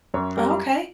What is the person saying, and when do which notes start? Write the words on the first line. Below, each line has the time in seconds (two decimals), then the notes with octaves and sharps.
Oh, 'kay.
0.14 F#2 C#5
0.37 G3 A#4